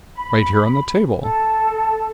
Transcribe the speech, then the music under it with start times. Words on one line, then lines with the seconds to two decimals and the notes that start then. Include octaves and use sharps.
Right here on the table.
0.15 B5
1.22 A4